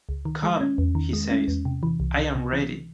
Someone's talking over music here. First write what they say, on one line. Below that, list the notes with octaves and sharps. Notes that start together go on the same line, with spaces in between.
"Come," he says; "I am ready."
C#2
D#3
G#3
C#4
E2
D#3
G#3
C#4
E2
C3
E3
C2
C2
C3
E3